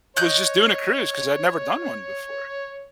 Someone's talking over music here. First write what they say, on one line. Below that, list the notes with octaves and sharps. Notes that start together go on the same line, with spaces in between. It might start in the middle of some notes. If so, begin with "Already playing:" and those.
was just doing a cruise 'cause I'd never done one before.
C#5 D#5 F#6 G6